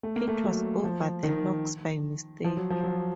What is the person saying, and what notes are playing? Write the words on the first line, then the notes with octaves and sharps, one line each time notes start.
It was over the locks by mistake.
A3
A#3
A3
F#3
F3
D#3
F3
F#3
F3
F#3